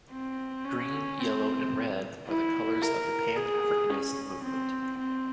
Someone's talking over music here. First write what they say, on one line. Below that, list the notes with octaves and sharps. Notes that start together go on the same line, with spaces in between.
Green, yellow and red are the colours of the Pan-Africanist movement.
C4
C#4
C4
E4
A#4
G#4
C#4
C4
C4